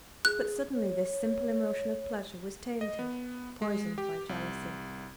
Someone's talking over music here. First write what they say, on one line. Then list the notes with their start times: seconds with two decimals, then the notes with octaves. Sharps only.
But, suddenly, this simple emotion of pleasure was tainted, poisoned by jealousy.
0.25 G#4 F#6
0.72 C#5
2.81 D#5
2.99 B3
3.62 G#3
3.98 G4
4.29 C2